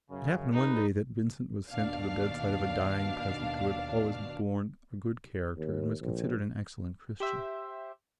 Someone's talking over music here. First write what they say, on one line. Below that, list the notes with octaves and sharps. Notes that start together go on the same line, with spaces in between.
It happened one day that Vincent was sent to the bedside of a dying peasant who had always borne a good character and was considered an excellent Christian.
F#2 C#3
C2 D#4 G#4 B4
D#2 B2 D4 F5
D#2
A#1
G4 C5 E5